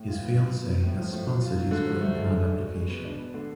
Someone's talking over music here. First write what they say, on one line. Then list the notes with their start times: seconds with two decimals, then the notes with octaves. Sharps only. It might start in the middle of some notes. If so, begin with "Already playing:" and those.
His fiancée had sponsored his green card application.
Already playing: A2
0.08 F4
0.23 B3
0.37 F#3
0.53 B3
0.68 F#3
0.82 A2
0.97 F3
1.12 A2
1.27 F#3
1.42 F4
1.56 F#3
1.71 D3
1.86 F3
2.01 A3
2.15 G#3
2.30 G#3
2.45 D4
2.60 F#4
2.75 G#3
2.89 B3
3.05 D4
3.19 B3
3.34 D3